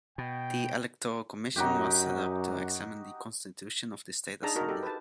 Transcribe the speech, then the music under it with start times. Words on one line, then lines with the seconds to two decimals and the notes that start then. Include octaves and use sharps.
The Electoral Commission was set up to examine the constitution of the States Assembly.
0.18 B2 G5
1.56 F#2 D#4 F#4 G4
4.43 D4 D#4 G#4 A5 A#5
4.55 D#4 F#4 A#4
4.69 G4 A4
4.83 B4 A5